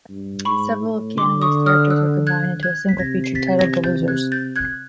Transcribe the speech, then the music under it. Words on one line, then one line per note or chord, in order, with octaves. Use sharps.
Several of Kanigher's characters were combined into a single feature titled "The Losers".
G2
G#2 B5 C#6
A2
D3 C6 D6
C#6 D#6
D#6 F6
E6 F#6
F#6 G#6
F#6 G#6
B6
C3 G#6 A#6
C7
A6 B6
G#6 A#6
G6 A6
F#6 G#6
G6 A6
F#6 G#6